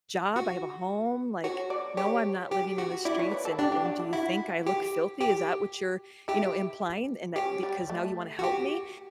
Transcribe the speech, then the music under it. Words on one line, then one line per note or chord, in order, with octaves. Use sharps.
job, I have a home, like, no, I'm not living in the streets, and and do you think I look filthy? Is that what you're, you know, implying in that because now you wanna help me?"
F#4
F#4 C#5
D5
G4 C#5
G4
F#4
E4 D5
C#5
B4
A4
D4 G4
G4
F#4
E4
E4 F#4
G4
G4
E4 G4
C#4 G4
G3
A3
F#4
G4